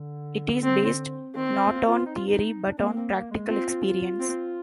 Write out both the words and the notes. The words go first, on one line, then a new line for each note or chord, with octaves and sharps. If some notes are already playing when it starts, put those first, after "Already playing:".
It is based not on theory but on practical experience.
Already playing: D3
C4
D#3 C4
G3
F4
F4
D#4
F4
D#4
D4
A#3 C4
C4
A#3
G#3
C4 F4
C4